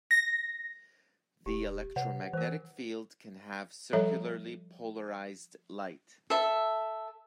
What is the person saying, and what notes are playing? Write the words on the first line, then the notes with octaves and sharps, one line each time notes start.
The electromagnetic field can have circularly polarized light.
A#6
E1 G4
C3 B4 C#5 F#5
E3 A#4 C5
F3 G3 A4 C#5 E5 A#5
A4 E5